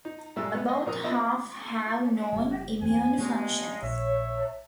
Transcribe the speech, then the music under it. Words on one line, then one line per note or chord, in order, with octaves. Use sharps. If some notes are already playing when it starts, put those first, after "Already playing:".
About half have known immune functions.
D#4
G2 A#2 G#3 A4 E5
B3
D#5
A#1 A#4 D#6
E4 F4 C5 D#5 E5 B5
F#1 G3
E2 C4 G#5
G2 G#3 A3 B3
A#1 C#5 E5